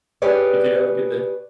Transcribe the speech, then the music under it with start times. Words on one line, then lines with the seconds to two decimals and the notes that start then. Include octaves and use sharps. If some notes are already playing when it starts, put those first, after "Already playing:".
You too, have a good day.
0.22 G4 G#4 B4 C#5 D5